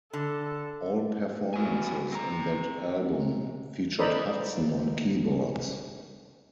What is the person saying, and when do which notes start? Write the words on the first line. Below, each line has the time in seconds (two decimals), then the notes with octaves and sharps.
All performances on that album featured Hudson on keyboards.
0.13 D3 A4
1.54 G3 F#4 G#5
2.12 C4 A#5
3.99 A4 C5 D5 D#5 A#5 B5